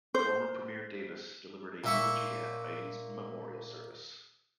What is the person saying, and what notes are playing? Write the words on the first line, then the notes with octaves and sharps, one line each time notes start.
Former Premier Davis delivered a eulogy at Ide's memorial service.
C5
A#2 E5 C#6